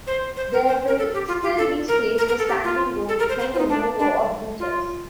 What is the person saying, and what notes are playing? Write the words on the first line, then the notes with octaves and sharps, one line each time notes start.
There will still be space for standing room behind the new row of bleachers.
C5
C5
A#4
C5
A#4
A4
G4
F4
G4
A4
A#4
A#4
A#4
A4
G4
F4
A4
A#4
C5
C5
F4
D#4
D4
D4
F4